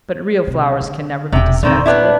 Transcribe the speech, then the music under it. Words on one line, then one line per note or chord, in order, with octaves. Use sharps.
But real flowers can never be dispensed with.
C3
D3
E1 C3 G5
A#2 D3 D#3 C4
B3 D4 E4